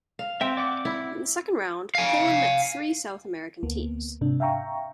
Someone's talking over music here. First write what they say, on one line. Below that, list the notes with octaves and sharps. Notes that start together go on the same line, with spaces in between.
In the second round, Poland met three South American teams.
F5
C4 E5 G5
D5 F#5 D6
E4
F5 G#5
D2 A#3 B3
G#2 C3 D4
E5 F5 G5 A#5 C#6